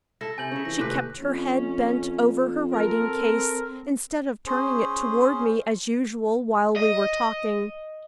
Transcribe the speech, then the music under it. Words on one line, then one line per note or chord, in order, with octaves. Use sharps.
She kept her head bent over her writing-case, instead of turning it toward me as usual while we were talking.
E4 A4 A#6
C3 G#5 G6 F#7
C#3 C#5 E5
E3 A#6
D#2 A2 C3 B4
F2 C#4
C4 A4 A#4
C#4 G#4 C5
D#5